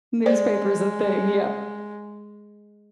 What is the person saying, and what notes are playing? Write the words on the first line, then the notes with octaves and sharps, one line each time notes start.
Newspaper's a thing. Yeah.
G#3 C5 D5